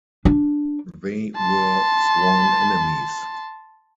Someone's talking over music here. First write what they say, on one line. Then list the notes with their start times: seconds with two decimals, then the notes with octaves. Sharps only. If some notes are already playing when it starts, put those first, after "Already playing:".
They were sworn enemies.
0.25 D4
1.37 A5 C6